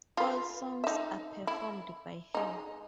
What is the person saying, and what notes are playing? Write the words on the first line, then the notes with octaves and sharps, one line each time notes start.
All songs are performed by her.
F4 B4
D#4 E5
E4
G#3 D#4